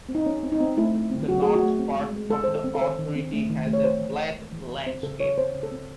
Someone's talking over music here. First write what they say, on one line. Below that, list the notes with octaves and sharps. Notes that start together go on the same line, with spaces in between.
The north part of the authority has a flat landscape.
C4
D#4
C4 C#4
C4
D#4
C4
A3 E4
A3
C4
F#3 F#4
A3 G#4
F#4
A3
C4
G#3
G#3
G#3 A4
D#3 C5
A4
C4
A4
D#3 C5
D#3
C4
A3
D#3
A3
C#5
C4 C5
E3
E3
G#3
E3
E3
C4 C5
C#3 A4
C#3 C#5
C4 C5
C#3
A4
C4